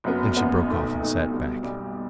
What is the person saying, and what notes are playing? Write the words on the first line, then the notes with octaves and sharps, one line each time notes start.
Then she broke off and sat back.
F#1 F#2 F#3 B3
F#1 F#2 F#3 B3
B1 B2 A3 D#4
B1 B2 A3 D#4
B1 B2 G3
B1 B2 G3